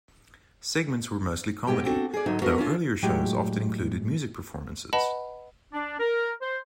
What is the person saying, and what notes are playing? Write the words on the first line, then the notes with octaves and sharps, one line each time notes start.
Segments were mostly comedy, though earlier shows often included music performances.
D2 G#2 B2 G#3 G4 G5
C4 D4 F#4 A4
G#4 D5
G#2 D3 F#3 D#4
G#3 B3 D4 F4 F#4 A#4
C#4 D4 F4 F5
A2 F#3 G#3 G4
B4 D#5 F#5 A5 B5
D4
A#4
C5